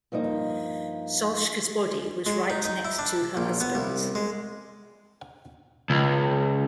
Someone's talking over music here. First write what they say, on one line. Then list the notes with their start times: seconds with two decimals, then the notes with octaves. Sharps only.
Solska's body was right next to her husband's.
0.12 G2 F3 A#3 D#4
2.26 G#3
2.50 D#4
2.65 D#4
2.85 E4
2.99 D4
3.37 A#1
3.60 B3
3.75 C2
4.15 G#3
5.90 C#2